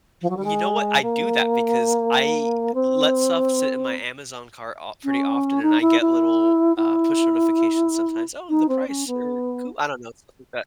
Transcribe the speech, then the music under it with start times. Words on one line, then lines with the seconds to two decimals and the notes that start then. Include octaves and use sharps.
you know what, I do that because I let stuff sit in my Amazon cart of pretty often, and I get little, uh, push notifications sometimes. "Oh, the price," or "cou" I don't know, stuff like that.
0.21 F3
0.29 F#3
0.36 G3
0.44 G#3
1.02 A#3
2.74 C4
5.04 C#4
5.62 D#4
5.80 E4
6.00 E4
6.76 E4
8.49 D#4
8.68 C4
8.87 C#4
9.07 B3